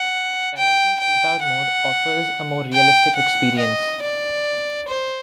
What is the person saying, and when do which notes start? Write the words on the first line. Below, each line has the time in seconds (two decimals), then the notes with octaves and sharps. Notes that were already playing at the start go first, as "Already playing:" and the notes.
Penalty Shoot-Out mode offers a more realistic experience.
Already playing: F#5
0.57 G5
1.00 G5
1.43 F#5
2.73 G5
3.15 F#5
3.59 D#5
4.02 D5
4.88 C5